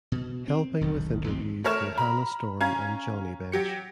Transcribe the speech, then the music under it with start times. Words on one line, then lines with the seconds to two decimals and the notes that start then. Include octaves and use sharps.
Helping with interviews were Hannah Storm and Johnny Bench.
0.12 B2
0.48 C4
0.81 E1 B1 D#3
1.26 A1 D#2 G3 C4
1.64 A3 A#4 C#5 F6 E7
1.98 A#5 B5
2.61 C#4 F5 A#5 G#6
3.52 F#3 G4 C#7